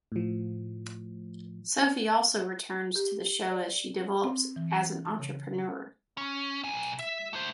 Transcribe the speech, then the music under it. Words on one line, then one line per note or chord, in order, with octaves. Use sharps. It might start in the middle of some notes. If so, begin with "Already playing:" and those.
Sophie also returns to the show as she develops as an entrepreneur.
A2 F3
G4
D5
C4
E3
A5
C#3
C#4
B1 G#5
E5
A3 C5